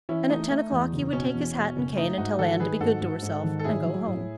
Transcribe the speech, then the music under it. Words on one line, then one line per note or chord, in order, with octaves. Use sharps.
And at ten o'clock he would take his hat and cane and tell Anne to be good to herself, and go home.
E3 C#4 E4
A3 D#4
A3
E2
F#1
B2 C#4
E2
B2
F#1
A3 D#4
G#2 D#4 F#4
D#3 F#4 A4
D#3 G#4 B4
G#2 F#4 A4
G#2
G#2
D#3
A4
A2 E4 G#4
F#3
A2